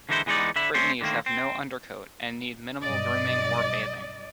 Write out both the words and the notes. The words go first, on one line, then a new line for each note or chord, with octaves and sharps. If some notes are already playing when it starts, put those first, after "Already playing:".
Brittanys have no undercoat and need minimal grooming or bathing.
D3 E3 G#3 D#4 E4 C5
E2 E3 G#3 B3 D#4 D5
D3 E5 B5
A3 C4 C#4 C5 D5
D3 D#3 A3 A#3 C4
C4
B1 G2 D5 D#5